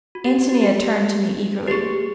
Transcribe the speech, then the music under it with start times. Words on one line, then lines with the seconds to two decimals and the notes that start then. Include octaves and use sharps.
Antonia turned to me eagerly.
0.15 F#4
0.25 G4
0.49 G4
0.61 G4
1.68 G4
1.72 G#4